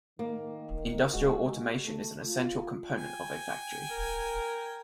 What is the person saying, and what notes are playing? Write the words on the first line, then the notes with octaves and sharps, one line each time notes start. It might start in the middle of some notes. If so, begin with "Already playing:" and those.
Industrial automation is an essential component of a factory.
D#3 A#3
G#3 F#4
A3
F4
G5 G#5
A#4